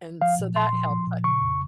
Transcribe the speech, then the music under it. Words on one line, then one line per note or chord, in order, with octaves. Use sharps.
And so that helps, I
F3 F5
A#2
A#2 C6
F3
F3
A#2
C#3 C#6
F2